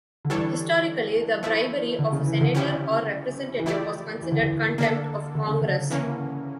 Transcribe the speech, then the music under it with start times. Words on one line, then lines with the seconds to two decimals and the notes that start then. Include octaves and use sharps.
Historically, the bribery of a senator or representative was considered contempt of Congress.
0.25 D3
0.30 E3 G3 D4 A4 C#5
1.43 F3 A3 E4
1.99 D3
2.12 C#3
2.26 E3
2.41 D3
2.54 F3 C#4 E4 G4
3.59 E3
3.66 F3 A3 E4 G4 D5
4.23 E3
4.32 D3
4.41 E3
4.78 D3 A#3 D4 A4
5.35 D3
5.48 C#3
5.61 D3
5.90 E3 A#3 C#4